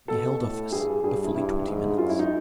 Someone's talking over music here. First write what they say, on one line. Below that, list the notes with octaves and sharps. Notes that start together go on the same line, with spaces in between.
He held office for fully twenty minutes.
B2 A4
A2
G2 G#4
G2 G#4
E4
G2 E4
G#2
F#2 F4
E4
D#4